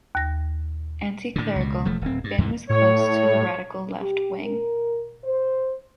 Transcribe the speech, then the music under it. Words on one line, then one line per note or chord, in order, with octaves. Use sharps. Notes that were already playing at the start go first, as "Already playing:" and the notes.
Anticlerical, Bin was close to the radical left wing.
D#2 A#6
A2 D3
C#2 B2
E1 F3 A3
D1 C4
G2
D#2 G#2 C3 E3
A2 C#5
G4
A#4
C5